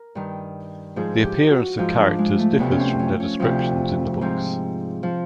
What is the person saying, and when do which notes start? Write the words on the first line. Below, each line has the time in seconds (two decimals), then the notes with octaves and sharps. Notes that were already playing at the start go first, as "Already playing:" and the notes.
The appearance of characters differs from their descriptions in the books.
Already playing: A#4
0.15 G2 D#3
0.96 G#2 F3 G#4
1.24 G4
1.51 F#4
1.78 G#2 F3
1.98 D4
2.18 G#3
2.39 A3
2.59 D2 C3 F3 B3
2.71 C#4
2.80 C4
2.99 C#4
3.20 C#4
3.40 D2 C3 F3 C4
4.21 G#2 F3 C4
5.03 F3